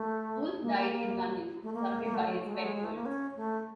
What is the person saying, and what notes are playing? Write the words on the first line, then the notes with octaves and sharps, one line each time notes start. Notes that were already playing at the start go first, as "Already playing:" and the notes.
Wolf died in London, surrounded by his pet birds.
Already playing: A3
A#3
A#3
A#3
A3
A#3
A#3
A3
G#3
A3
G#3
G#3
A3
A#3
C#4
A3